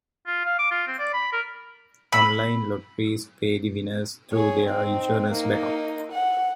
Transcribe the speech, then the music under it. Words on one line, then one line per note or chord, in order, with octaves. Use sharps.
Online lotteries pay the winners through their insurance backup.
F4
F5
D6
F4
C4
D5
B5
A#4
B5 E6
G#4 C#5
C4 D#4
A#3 D#4
F#5